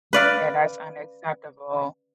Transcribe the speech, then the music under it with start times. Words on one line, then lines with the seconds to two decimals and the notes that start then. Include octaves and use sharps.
Yeah, that's unacceptable.
0.13 B4 D5 F5